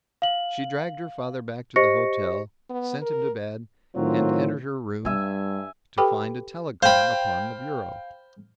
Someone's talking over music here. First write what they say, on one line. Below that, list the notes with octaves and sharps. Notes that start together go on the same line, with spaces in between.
She dragged her father back to the hotel, sent him to bed, and entered her room--to find a telegram upon the bureau.
F5 F#7
G4 C5 D#5 C#6 A#6 C#7
B3
A#4
A2 D#3 F#3 C4 F4 C#5
G2 G3 E5 G#5
G4 A4 B4 G5 B5 D6
C5 F5 G5 B5